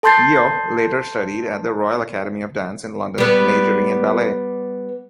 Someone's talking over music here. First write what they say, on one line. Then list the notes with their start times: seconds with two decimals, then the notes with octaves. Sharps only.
Yeoh later studied at the Royal Academy of Dance in London, majoring in ballet.
0.03 A4 A5 C6 G6 A6 C7
3.18 G3 B3